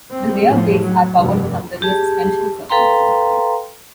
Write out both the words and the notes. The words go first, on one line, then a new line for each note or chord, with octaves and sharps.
The rear brakes are powered from the rear suspension circuit.
C4
A2 F3
F#3
F1 G2
G4 G#4 A5
A4 B4 F5 G5 A#5 C6